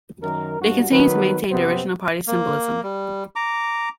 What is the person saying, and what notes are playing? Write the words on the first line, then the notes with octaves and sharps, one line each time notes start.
They continue to maintain the original party symbolism.
F#2 D#3 A#4
G2 F#4
D#3 F#3 B3 B4
F#2 C3 B3 C4 C5
A#3
G3
A#5 D6